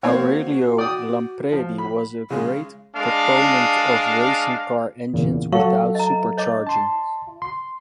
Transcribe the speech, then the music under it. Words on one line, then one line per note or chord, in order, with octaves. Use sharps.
Aurelio Lampredi was a great proponent of racing-car engines without supercharging.
A#3 C4 F#4 C#5
D5 G5 D#6
F3
B5
C#3 G#3 F5
G#3 D4 F5
E2 A#2 C#3
F#3 A4 F5 C#6
D#5 A#5
C#5 D#5 D6
A5 C6
C6